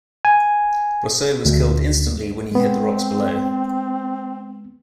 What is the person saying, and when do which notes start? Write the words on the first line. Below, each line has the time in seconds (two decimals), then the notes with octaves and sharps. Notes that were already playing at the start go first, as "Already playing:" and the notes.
Brosseau was killed instantly when he hit the rocks below.
0.25 G#5
1.45 D2
2.52 G#3 B3 C4